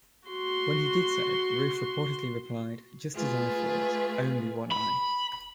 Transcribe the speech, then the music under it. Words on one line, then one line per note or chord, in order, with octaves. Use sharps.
When he did so, Ruth reportedly replied, Just as I thought; only one I.
F#4 C6
A3 F4 G#4 B4
B5